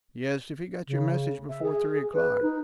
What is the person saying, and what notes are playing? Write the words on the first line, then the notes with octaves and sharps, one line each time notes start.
"Yes, if he got your message before three o'clock."
C#3
E5
G#4
B4
D#4